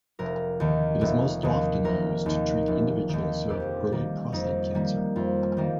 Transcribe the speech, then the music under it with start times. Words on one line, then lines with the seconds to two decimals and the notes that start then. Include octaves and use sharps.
It is most often used to treat individuals who have early prostate cancer.
0.19 F1 A#4
0.60 D#2 D#3
1.01 F1
1.43 D#2 D#3
1.84 F1 A#4
2.26 D#2 D#3
2.67 F1
3.09 D#2 D#3
3.49 F2 G4
3.92 D#3 G3 A#3
4.32 F2 D#4
4.74 D#3 G3 A#3
5.16 F2 F4
5.57 D#3 G3 A#3